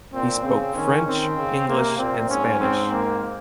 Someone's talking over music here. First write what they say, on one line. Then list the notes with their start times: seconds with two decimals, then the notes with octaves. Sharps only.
He spoke French, English, and Spanish.
0.14 A#2 C4
0.44 C#3 C4
0.75 D#3 C#4
1.07 D#3 C4
1.37 C#3
1.68 C3 A#3
1.99 A#2 C4
2.29 G#2 C#4
2.60 C4
2.91 A#3